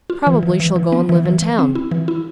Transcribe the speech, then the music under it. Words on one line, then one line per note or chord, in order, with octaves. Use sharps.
Probably she'll go and live in town.
F4
E3
E3
E3
E3
B3
E3
E3
E3
C4
E4
E3
E4